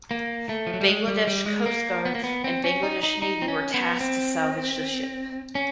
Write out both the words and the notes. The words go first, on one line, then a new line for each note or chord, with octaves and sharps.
Bangladesh Coast Guard and Bangladesh Navy were tasked to salvage the ship.
A#3
A3
F3
F#3
G3
G#3
G3
G3
G#3
A#3
B3
A#3
B3
C4
C#4
D#4
D#4
D#4
C4
C#4
B3
C4
C#4